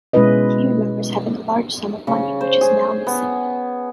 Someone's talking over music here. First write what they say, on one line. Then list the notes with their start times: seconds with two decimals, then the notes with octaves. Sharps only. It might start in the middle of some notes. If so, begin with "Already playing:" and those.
He remembers having a large sum of money, which is now missing.
0.13 B2 G#3 C#4 E4 B4 D#5
2.07 C#3
2.41 C5
2.61 G#4
3.07 B3